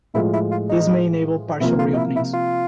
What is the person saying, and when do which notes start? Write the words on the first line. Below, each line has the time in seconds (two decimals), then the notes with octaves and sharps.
This may enable partial reopenings.
0.14 A2 F3 G#3 E4
0.33 E4
0.51 F4
0.69 D#4
1.60 C3 F3 A#3 E4
1.79 F4
1.93 D#4
1.97 E4
2.16 E4
2.33 F4